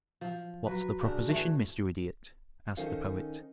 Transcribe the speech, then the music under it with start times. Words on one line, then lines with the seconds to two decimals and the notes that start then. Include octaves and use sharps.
"What's the proposition, Mr. Idiot?" asked the Poet.
0.21 F3
0.66 F#3 B4
1.01 C#3 D4 F#4
1.28 E3 A3
2.77 D#3 C#4 D#4 A4 C5 F5